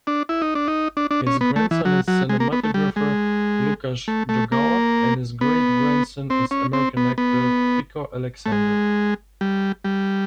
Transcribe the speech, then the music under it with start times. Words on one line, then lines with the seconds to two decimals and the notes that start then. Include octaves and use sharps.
His grandson is cinematographer Lukasz Jogalla and his great-grandson is American actor Pico Alexander.
0.07 D4
0.29 E4
0.42 D#4
0.55 D4
0.68 D#4
0.97 D4
1.11 D4
1.27 C#4
1.41 B3
1.56 A3
1.71 E3
1.85 F#3
2.08 F#3
2.29 G#3
2.40 A#3
2.52 B3
2.64 A3
2.74 G3
2.96 G#3
4.08 A3
4.29 A3
4.52 A#3
5.41 B3
6.30 C4
6.51 C#4
6.73 C4
6.97 B3
7.18 B3
8.46 A3
8.52 G#3
9.41 G3
9.85 G3